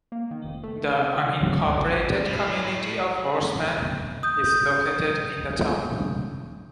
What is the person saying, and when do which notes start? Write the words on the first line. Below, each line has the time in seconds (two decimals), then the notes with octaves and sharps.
The unincorporated community of Horseman is located in the town.
0.12 A#3
0.31 D#3
0.44 F1
0.64 A3
0.97 C3
1.16 D3
1.40 F#3
1.66 D2
1.78 A1
2.25 A2
4.23 D#6 G6